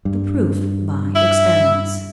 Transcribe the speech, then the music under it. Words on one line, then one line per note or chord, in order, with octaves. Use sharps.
The PROOF by Experiments.
G2
E4